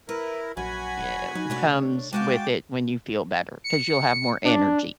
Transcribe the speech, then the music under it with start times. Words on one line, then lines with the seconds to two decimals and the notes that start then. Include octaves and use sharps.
ye yeah comes with it when you feel better, 'cause you'll have more energy
0.09 E4 A#4 B4
0.57 A#1 F#2 F#4 G#5 B5
0.98 E1
1.35 F#3 D#4
1.50 C3 A3 D4 C#5
2.13 G#3 F#4 F5 G5 A5 D6
3.64 C#7
4.44 D4